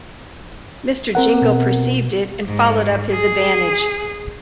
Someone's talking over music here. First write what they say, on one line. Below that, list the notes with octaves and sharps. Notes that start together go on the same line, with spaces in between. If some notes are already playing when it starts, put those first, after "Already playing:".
Mr. Jingle perceived it, and followed up his advantage.
C4 A#4 F#5
B2
G#2
G#4